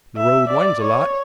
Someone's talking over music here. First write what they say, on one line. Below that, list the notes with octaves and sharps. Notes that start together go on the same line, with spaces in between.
The road winds a lot.
E5
D5
C#5